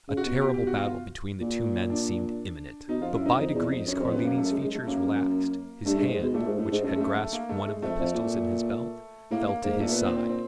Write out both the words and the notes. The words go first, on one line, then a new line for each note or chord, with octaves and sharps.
A terrible battle between the two men seemed imminent; but by degrees Carlini's features relaxed, his hand, which had grasped one of the pistols in his belt, fell to his side.
C#3
F#4
B2
G4
G4
F#4
F4
A#2
D4
B2 D#4
F2 F4
F#2 E4
F#2 D#4
F2
E2
F2
F#2 C#4
F2 C4
F#2 B3
A#3
A3
G#3
G#3
A3
F#2 A#3
G2 A3
G2 G#3
G#2 G#3
B2 G#3
A#2 A3
G#2 G#3
A2 A3
G#2 G#3
F#2 A3
G#3
A3
A3
A#3
A3
G#3
F2 A3
F2
A#2
A2 A#3
A#3
G#2 A#3
A#2 A3
B3
C4
C4
C4